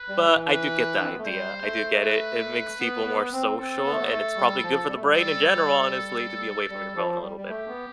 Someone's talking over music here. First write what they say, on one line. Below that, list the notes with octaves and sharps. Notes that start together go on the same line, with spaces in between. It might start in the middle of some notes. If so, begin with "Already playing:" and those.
but I do get the idea, I do get it, it makes people more social and it's probably good for the brain in general, honestly, to be away from your phone a little bit.
Already playing: B4
G3
E3
B4
D4
C4
B3
A3
G3 C5
A3
B4
B3
B3
C4
C4 A4
B3
A3
B3
A3
G3
F3
G3
A3
G3
A4
G3
F3
G3
G3
A3 G4
B3